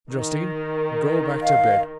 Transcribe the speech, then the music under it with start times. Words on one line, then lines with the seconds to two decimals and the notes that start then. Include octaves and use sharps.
Justine, go back to bed.
0.12 D#3
1.40 D#5 F5